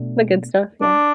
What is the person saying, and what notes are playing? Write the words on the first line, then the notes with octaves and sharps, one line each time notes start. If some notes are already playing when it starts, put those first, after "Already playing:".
The good stuff, yeah.
Already playing: B2 A3 D4
D4